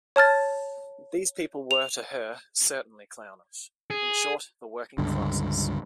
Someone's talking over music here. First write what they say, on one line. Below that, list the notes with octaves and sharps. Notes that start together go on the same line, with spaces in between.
These people were to her, certainly clownish — in short, the working classes.
C#5 A5 F6 A6
F7
G#4
C#2 G2 D3